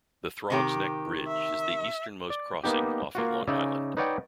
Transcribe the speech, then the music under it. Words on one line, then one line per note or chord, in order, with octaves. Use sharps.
The Throgs Neck Bridge is the easternmost crossing off of Long Island.
C3 D#3 G4
E5
D5
A#3 B3 D#4 G4
A#3 F4 F#4
C#3 D#4 D5 E5 G#5
D#4 B4 C#5 D5 F#5 G5